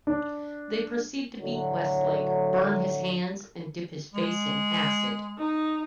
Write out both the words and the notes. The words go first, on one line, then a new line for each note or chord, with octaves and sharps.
They proceed to beat Westlake, burn his hands and dip his face in acid.
D4
A2 D3 F#3
G#3
D#4